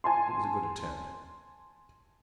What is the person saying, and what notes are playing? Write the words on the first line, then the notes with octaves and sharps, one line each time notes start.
It was a good attempt.
G#5 A5 C6